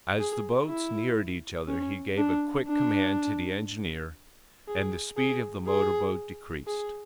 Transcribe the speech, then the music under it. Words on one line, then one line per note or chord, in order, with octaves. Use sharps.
As the boats neared each other he gave a quick command to the engineer, and the speed of the motor-boat decreased.
G#4
E4
C#4
D4
D4
G#4
G#4
G#4
G#4